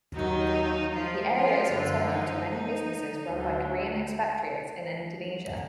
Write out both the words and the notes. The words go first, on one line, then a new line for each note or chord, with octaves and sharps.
The area is also home to many businesses run by Korean expatriates in Indonesia.
D#2 D#3 F#3 D#4
F3 F4
F3 F4
F#2 D3 F3
D#4
D#4
D2 D3 F#3